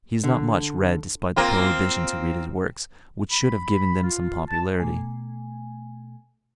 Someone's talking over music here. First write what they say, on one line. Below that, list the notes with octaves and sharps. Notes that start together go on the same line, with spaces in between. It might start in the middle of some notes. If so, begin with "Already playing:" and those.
He is not much read despite the prohibition to read his works, which should have given them some popularity.
D3
A#3 C4 F4
B5
F4
A5
B2 A3 G#5